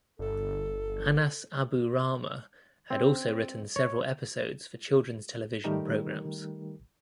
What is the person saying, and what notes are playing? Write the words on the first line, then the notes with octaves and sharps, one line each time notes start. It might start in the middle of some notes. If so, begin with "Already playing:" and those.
Anas Abu Rahma had also written several episodes for children’s television programs.
G1 A4
C4
C#5
D#3 G3 A3 D#4 G4 A#4